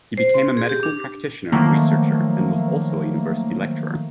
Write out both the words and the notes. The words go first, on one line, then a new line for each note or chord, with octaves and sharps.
He became a medical practitioner and researcher, and was also a university lecturer.
C5
C6
G#4
G4
D4
D#3 F3 F#3 A3 A#3